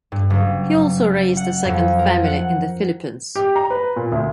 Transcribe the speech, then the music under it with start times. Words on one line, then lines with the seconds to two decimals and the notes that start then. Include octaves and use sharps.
He also raised a second family in the Philippines.
0.12 G2
0.30 F#1
1.37 F#5
1.65 F2
1.99 A#4
2.24 F#5
3.36 G4
3.56 A#5
3.70 B4
3.96 A#2
4.12 D2